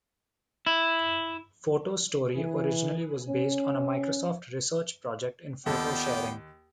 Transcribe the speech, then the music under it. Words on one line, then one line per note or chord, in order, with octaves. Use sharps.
Photo Story originally was based on a Microsoft Research project in photo sharing.
E4
E3
C#4
D#2 F3 B3 A4 D5 G5